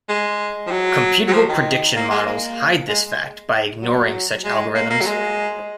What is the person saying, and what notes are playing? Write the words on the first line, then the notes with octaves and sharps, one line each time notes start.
Computable prediction models hide this fact by ignoring such algorithms.
G#3
F3
F#3
F#3
F3
D#3
A#3
G#3
A#3
G#3
F#3
G#3
A#3
A#3
F#3
G#3